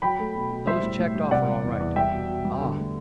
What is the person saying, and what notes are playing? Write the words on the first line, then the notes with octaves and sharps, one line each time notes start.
"Those checked off are all right."
F#3 G5 B5
A3
B2
B2
G3 C5 E5
A2
A2
G3
C3 D5 F#5
G3
E2
E2
G3 E5 G5
B2
B2
G3
D3
A3